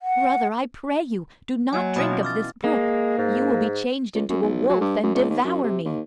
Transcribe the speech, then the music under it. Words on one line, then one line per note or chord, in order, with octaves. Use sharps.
"Brother, I pray you, do not drink of this brook; you will be changed into a wolf, and devour me."
F#5
F#3 A#3 G#5
B2 E3 F4 B5 D#6
C#4 E4
D6 F6 A6
G#3 A#3
G#2
C#2
F#2
B1
F#3
G2
F#2
C#2
D#2
F#2
C3
D#2